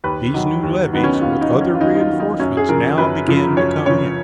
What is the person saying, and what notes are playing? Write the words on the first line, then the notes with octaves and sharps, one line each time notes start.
These new levies with other reinforcements now began to come in.
D#2 B4
D#3 F#3
D#2
D#3 F#3 B3
C#4
D#4
D#2 F4
D#4
D#3 F#3
C#4
F4
D#2 D#4
D#4
F4
D#3 F#3
D#4
F#2 C#4
G#4
C#3 F3 A#4
F#2 B4
C#3 F3
F#2 C#5
C#3 F3 C#5